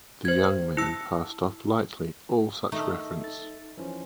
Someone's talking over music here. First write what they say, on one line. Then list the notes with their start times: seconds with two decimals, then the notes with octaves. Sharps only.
The young man passed off lightly all such reference.
0.25 C5 G#6
0.77 E4 E6 C#7
2.72 A3 D#4
3.20 A4 A6
3.77 E3 F3 C#4